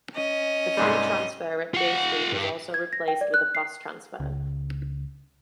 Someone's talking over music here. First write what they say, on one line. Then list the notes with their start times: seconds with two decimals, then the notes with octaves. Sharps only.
The free transfer at Jay Street was also replaced with a bus transfer.
0.15 C#4 D#5
0.77 C2 G#2 G3
1.74 F4 F#5
2.32 G2
2.74 G#6
2.93 A#6
3.08 G5
3.21 D5
3.34 F#6
3.55 C7
4.20 C#2